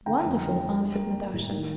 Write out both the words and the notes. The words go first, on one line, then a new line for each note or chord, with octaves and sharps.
"Wonderful!" answered Natasha.
D3 G5 A#5
F2
D3
D3
G3
A#3
G3
A2
D#3